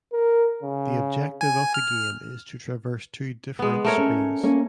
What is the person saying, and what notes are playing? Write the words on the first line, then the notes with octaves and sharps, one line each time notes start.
The objective of the game is to traverse two different screens.
A#4
C#3
G#5
F6
G#3 B3
A3 A#4 C#5
C#4
A#3 C#4